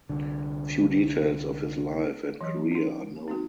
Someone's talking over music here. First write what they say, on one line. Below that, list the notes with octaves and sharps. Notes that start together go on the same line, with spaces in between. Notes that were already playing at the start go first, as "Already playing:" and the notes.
Few details of his life and career are known.
C2 D3
E3 F#3 C#5
C#4 D#4
C4 D#4 F#4